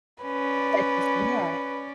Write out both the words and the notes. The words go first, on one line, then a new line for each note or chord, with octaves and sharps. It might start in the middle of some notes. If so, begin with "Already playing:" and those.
That's just Yeah.
C#4 B4 D5